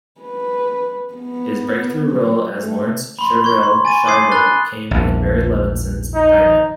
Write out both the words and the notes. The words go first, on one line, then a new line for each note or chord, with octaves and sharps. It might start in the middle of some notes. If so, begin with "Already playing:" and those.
His breakthrough role as Laurence "Shrevie" Schreiber came in Barry Levinson's "Diner".
B4
B3
F#3
A3
B5 C6
C#6 G#6
C6
G#5 A6 D#7
C6 D6 D#6 G#6 C7
B5 F#6 A6 G7
A#1 E2
D#4